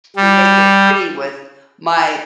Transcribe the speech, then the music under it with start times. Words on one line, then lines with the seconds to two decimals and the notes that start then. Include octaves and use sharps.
then make it pretty with my
0.16 G3